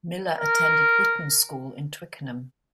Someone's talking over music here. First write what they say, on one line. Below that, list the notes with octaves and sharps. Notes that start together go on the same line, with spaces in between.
Miller attended Whitton School in Twickenham.
A#4